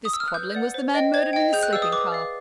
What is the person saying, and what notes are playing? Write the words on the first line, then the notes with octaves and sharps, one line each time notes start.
This Quadling was the man murdered in the sleeping-car.
D#6
E6
F6
F#6
B4 G6
D5 F#5
C5
D#5 G5
C5 G#6
D#5 G5
G#4 G6
F#6
B4 D5 F5 E6
D#6
B4 D6
D5 F5